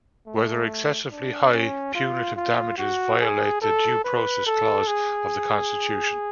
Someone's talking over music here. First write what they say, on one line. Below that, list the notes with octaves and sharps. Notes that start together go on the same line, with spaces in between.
Whether excessively high punitive damages violate the Due Process clause of the Constitution.
A3
D4
C#4
F4
F4
F#4
G#4
A4
B4
A4
G#4